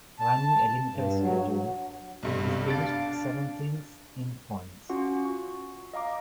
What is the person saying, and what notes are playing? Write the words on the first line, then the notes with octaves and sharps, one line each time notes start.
Running a limited schedule, he finished seventeenth in points.
A5
G2
F#3
B1 G2 C3
D4 F5 A6 D7
C#4 F4 F#4 F#5
C#6
D#5 F5 A#5 D6